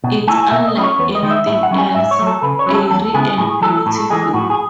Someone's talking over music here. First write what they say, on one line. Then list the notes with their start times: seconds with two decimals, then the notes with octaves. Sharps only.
It's unlike anything else; eerie and beautiful.
0.04 B2
0.28 A3 E4 G#5
0.34 A5
0.42 G#5
0.51 B2 E5
0.68 D#5
0.75 A3 C#4 E4
0.84 C#5
0.98 E2 B4
1.15 D#5
1.23 D#3 G#3 D#4
1.30 E5
1.47 A2 E5
1.63 F#5
1.71 F#3 C#4 E4
1.78 G#5
1.95 G#2 E5
2.11 C#5
2.19 F#3 A3
2.27 A4
2.42 C#3 B4
2.59 C#5
2.67 F#3 C#4 E4
2.74 A4
2.90 E2 A4
3.14 C#3 G#3 B3 E4 G#4
3.38 A2 G#4
3.62 F#3 A3 A4
3.86 A2 A4
4.10 E3 G#3 G#4
4.33 A2 F#4
4.50 G#4